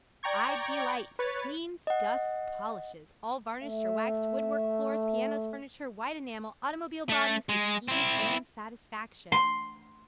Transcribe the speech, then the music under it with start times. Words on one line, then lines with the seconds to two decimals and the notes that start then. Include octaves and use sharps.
I-DE-LITE CLEANS-DUSTS-POLISHES all varnished or waxed woodwork, floors, pianos, furniture, white enamel, automobile bodies with ease and satisfaction.
0.23 D5 G5 A#5 C#6 G#6
1.19 B4 C#5 A6
1.87 D#5 F#5
3.63 A3 E5
7.09 A3
7.49 G#3
7.88 C4 E4
9.32 C6